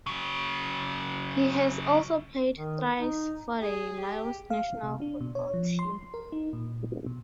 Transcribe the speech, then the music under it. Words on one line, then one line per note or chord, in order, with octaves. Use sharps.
He has also played thrice for the Laos national football team.
C#3 F#3
D#3
D#4
G#4
G4
F5
C3
D4
B2
C#5
F3
C6
A#4
D#4
A#2
B2